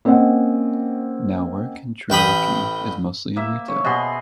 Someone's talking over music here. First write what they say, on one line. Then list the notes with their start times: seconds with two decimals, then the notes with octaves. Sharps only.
Now work in Treorchy is mostly in retail.
0.05 A#3 C4 C#4 D#5 F#5
2.10 A1 G5 B5 D#6
3.36 A#3 E5
3.68 C#5
3.85 B2 G#4 C6